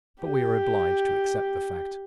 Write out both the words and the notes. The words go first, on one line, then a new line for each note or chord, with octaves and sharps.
But we are obliged to accept the fact.
G4